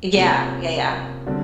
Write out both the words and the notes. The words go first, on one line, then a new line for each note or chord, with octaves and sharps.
Yeah, yeah, yeah.
C3 F3 A#3 C#4
D3 G3 C4